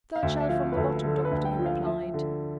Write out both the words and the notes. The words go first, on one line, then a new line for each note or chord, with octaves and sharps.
"Third shelf from the bottom, doctor," he replied.
F5
D2 E5
E5
F3 F5
B4
D2 A4
D3 A4
A4
B4
D2
G5
F3
F5
F3 E5
D3